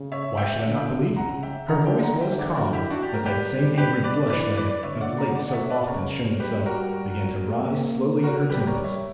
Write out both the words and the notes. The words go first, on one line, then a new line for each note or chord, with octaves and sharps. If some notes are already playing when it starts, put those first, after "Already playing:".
"Why should I not believe you?" Her voice was calm, but that same angry flush that had of late so often shown itself began to rise slowly at her temples.
Already playing: C#3
C#5 E5
E5 G5
D3
C#3 F#5 A#5
E5 G5
D3 F#5 A#5
E5 G5
F#5 A#5
D3 E5 G5
D5 F#5
F#4 A#4
E4 G4
D4 F#4
G4
A#4
G3 G4 B4
G4 B4
B4 D5
E3 B4 D5
B4 D5
D3 C#5 E5
D5 F#5
F#5 A#5
D5 F#5
F#5
C#5 E5
B4 D5
C#3 A#4 C#5
G3 G4 B4
F#4 A#4
A#3
F#4 A#4
G3 G4 B4
A#4 C#5
C#5 E5